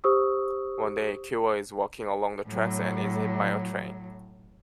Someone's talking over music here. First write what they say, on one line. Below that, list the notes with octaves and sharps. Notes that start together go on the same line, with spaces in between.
One day Ikuo is walking along the tracks and is hit by a train.
G4 C5 C#6 D#6 E6
A2 F#3